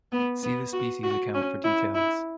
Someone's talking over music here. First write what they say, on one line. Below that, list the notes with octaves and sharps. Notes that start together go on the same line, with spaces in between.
See the species account for details.
B3
B3
F#4
F#4
C#4
E4
E4